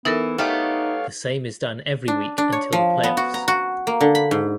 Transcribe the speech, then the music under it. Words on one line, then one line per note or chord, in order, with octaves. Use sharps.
The same is done every week until the playoffs.
E3 B3 D#4 A4 A#4
A3 B3 D#4 G4 C#5 F5 F6
D4
D4
C#5
F3
B3
F#4
A#5
F#4
A#3
D3
B5
G#2